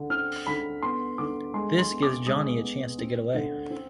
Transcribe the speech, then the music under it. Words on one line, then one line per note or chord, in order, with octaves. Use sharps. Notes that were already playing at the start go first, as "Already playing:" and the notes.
This gives Johnny a chance to get away.
Already playing: D3
C4 F6
D3 B5
B3 C6
D3 D6
G#3 C6
C6
B3
D6
G#3 D#6
B3
C4
D3
C4